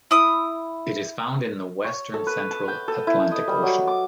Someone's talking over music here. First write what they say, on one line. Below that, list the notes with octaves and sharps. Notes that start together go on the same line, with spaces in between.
It is found in the western central Atlantic Ocean.
E4 D#6
C#5
A4
B4
A5
G5
A4
E4
D#5
G3
F#3
D6